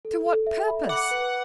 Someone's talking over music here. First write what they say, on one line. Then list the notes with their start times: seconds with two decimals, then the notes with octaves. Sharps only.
'To what purpose?
0.05 A4
0.26 A4
0.47 E5
0.68 B5
0.89 F#5 D6
1.11 B4